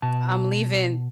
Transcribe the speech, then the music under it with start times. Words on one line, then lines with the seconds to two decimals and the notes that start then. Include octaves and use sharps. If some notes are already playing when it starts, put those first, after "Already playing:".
I'm leaving
0.02 B2 A5